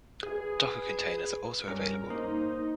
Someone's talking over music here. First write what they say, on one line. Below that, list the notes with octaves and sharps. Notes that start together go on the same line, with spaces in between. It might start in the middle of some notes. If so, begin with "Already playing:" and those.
Docker containers are also available.
G#4 B4
G2 C#4 A#4
A#3 D#4 C5